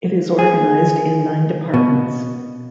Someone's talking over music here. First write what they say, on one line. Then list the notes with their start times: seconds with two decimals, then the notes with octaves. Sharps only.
It is organised in nine departments.
0.39 G#4
1.74 B2